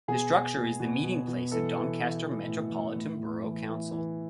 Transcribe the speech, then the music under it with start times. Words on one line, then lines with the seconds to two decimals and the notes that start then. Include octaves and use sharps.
The structure is the meeting place of Doncaster Metropolitan Borough Council.
0.08 B2 G#4
0.32 B2
0.56 B2
0.80 B2
1.04 B2
1.28 B2
1.52 E3 A4
1.77 E3
2.00 E3
2.24 E3
2.48 A2
2.72 A2
2.96 A2
3.19 A2
3.44 E3
3.67 E3
3.92 E3